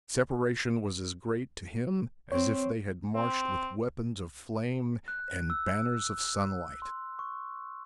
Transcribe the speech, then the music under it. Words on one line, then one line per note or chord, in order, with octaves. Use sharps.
The separation was as great to him as if they had marched with weapons of flame and banners of sunlight.
C4 C#5
C4
F#6
E6
C6
C#6